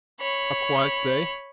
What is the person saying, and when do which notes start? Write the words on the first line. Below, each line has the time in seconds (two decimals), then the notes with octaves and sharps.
A quiet day.
0.20 C#5 B5